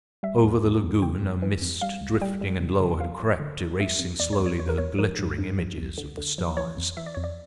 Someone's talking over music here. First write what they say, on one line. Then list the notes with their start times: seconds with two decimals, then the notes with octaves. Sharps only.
Over the lagoon a mist drifting and low had crept, erasing slowly the glittering images of the stars.
0.23 G3 E5
0.43 E2
0.63 E2
0.83 E2
1.02 C#3 G5
1.22 F2
1.42 E3
1.62 F2
1.82 G3 F5
2.01 C#2
2.21 G3 G5
2.41 G3
2.60 C#3
2.80 C#3
3.00 F3 F5
3.20 F3
3.40 D3
3.61 F2
3.80 F2 E5
4.00 F2
4.20 E2 D5
4.33 C#5
4.39 E2
4.46 C#5
4.59 E2 C#5
4.69 A#4
4.78 E2 C#5
4.99 F3 A#4
5.19 G2
5.38 G2
5.58 F3
5.78 E2
5.98 D3
6.17 D3
6.38 F3
6.57 E3 C#5
6.77 F2
6.97 E3 E5
7.06 D5
7.14 F2 C#5
7.24 D5